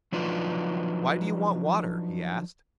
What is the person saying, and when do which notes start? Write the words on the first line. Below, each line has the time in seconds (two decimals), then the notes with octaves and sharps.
"Why do you want water?" he asked.
0.12 F3 F#3 D4 D#4 F4 B4